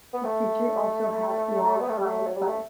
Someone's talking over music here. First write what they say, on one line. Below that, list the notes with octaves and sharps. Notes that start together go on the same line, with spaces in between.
The creature also had long hind legs.
B3
A3
B3
A3
G3
A3
F#3
G3
A3